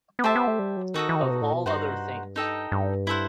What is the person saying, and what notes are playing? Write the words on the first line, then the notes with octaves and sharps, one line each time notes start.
Of all other things.
B3
A3 G4 C5 E5 A5
B3
A3
G3
F#3
D#3 D#4 F#4 A4 D#5
E3
D#3
C3
B2
A2
B2
G2 D#4 F#4 C5 F#5
D#4 A4 D#5 G5
G2
E4 A4 C5 F#5